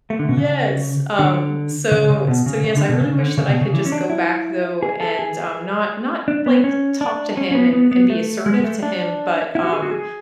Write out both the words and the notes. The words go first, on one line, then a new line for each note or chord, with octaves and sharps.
Yes, um, so so, yes, I really wish that I could just go back though, and, um, not not, like, talk to him and and be assertive to him, but, um,
A3
D3
B2
C#3
D3
C#3
C#3
B2
C#3
C#3
D3
B2
C#3
D3
C#3
B2
C#3
E3
C#4
D4
E4
G#4
A4
G#4
D4
B3
C#4
D4
C#4
C#4
B3
B3
B3
A3
G#3
G#3
A3
D4
E4
F#4
G#4
F#4
G#4